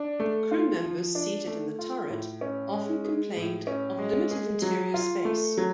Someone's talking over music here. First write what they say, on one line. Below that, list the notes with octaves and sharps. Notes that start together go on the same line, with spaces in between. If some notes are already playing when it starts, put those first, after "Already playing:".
Crew members seated in the turret often complained of limited interior space.
Already playing: D4
A3
F4
F3
D4
A3
F4
A2
C#4
G#3
G#4
A2
C#4
G#3
G#4
F#3
F4
A3
F#3